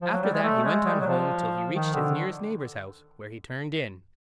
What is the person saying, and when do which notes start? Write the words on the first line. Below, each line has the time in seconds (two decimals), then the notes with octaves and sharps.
After that he went on home till he reached his nearest neighbour's house, where he turned in.
0.02 F3
0.13 F#3
0.23 G3
0.33 G#3
0.43 A3
0.64 G#3
0.87 G3
1.00 F#3
1.07 F3
1.72 D#3
1.94 D3